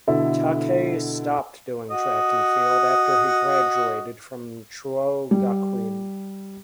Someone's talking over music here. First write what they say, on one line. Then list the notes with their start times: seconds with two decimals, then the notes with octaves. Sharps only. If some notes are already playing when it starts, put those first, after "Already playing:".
Takei stopped doing track and field after he graduated from Chuo Gakuin.
0.07 B2 D3 E4 A4
1.90 F#4 D#5
5.31 G3